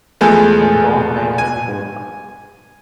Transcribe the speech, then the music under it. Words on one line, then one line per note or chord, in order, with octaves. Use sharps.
I found knife and fork.
E2 F3 G#3 A3 B3
G#5